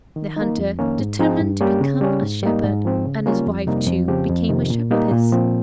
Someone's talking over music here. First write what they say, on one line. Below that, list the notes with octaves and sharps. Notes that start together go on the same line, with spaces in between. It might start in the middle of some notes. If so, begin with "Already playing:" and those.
The hunter determined to become a shepherd, and his wife too became a shepherdess.
D#3
A#3 D#4
F2
D#3 A#3 C#4
G#2
F3 C4 D#4 G#4
G2
G3 A#3 C#4 G4
C#3
G3 C#4
G#2
G3 A#3 D#4
G#2
F3 C4
C#3
G3 A#3 C#4 F4
F2
C3 G3 A#3 D#4
F2
C#3 F3 C4 G4
F2
C3 D#3
A#2
G3 A#3 D#4 G4
A#2
F3 C4